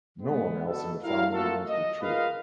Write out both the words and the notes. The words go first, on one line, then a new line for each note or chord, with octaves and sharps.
No one else in the family wants the truth.
G#3 B3
B2 A4
F#3 E4 G4 A#4 F5
A3 A#3 F4 F#4 A4
D#5
F4 G#4 A#4 B4 D#5 F5